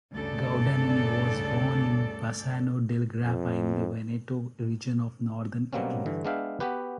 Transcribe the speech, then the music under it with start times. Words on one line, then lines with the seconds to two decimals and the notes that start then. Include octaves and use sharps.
Guadagnini was born in Bassano del Grappa in the Veneto region of northern Italy.
0.12 D2 G2 C#3 A4 D5
3.23 F2
5.73 B2 F#3 G3 A#3 C4 C#4
6.06 G2 D3 E3
6.25 G#3 B3 D4 E5 F5 G5
6.60 B3 F#4 G4 B4